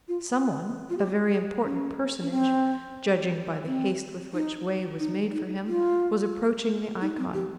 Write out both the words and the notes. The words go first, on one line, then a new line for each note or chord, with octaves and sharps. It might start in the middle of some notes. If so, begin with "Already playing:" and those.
Someone, a very important personage judging by the haste with which way was made for him, was approaching the icon.
F4
F4
G4
G#4
C#4
C#4
C4
C4
D#4
D#4
D#4
F4
D#4
C4
G4